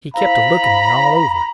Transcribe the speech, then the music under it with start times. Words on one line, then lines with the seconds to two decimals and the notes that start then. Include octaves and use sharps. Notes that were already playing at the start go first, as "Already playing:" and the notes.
He kept a-looking me all over.
0.14 E4 C5 F5 A#5 B5